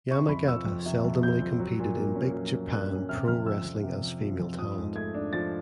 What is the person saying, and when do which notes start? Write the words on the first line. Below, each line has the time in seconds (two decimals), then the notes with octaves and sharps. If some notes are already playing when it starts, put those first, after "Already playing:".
Yamagata seldomly competed in Big Japan Pro Wrestling as female talent.
0.11 C3 C#6
0.29 F2 B5
0.48 F3 E6
0.66 F2
0.86 C3
1.04 F2
1.23 F3 G6
1.42 F2
1.60 F#3
1.79 A#2
1.97 A#3
2.16 C#4
2.34 F#3
2.53 A#2
2.72 A#3 F#6
2.91 C#4
3.09 C3 F6
3.28 F2 F6
3.46 F3 E6
3.65 F2
3.83 C3
4.03 F2
4.21 F3
4.40 F2
4.59 F3 D#6
4.78 G#2
4.95 A3 G#6
5.14 D4
5.33 F3 A6